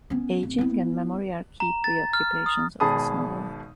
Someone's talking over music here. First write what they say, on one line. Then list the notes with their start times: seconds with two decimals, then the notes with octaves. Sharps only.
Ageing and memory are key preoccupations of this novel.
0.10 B3 C#4
0.43 D1
0.58 B3 E4
1.60 A#5
1.84 A6
2.13 F6
2.46 D#6
2.80 G#1 B2 G#4 A5 B5 D#6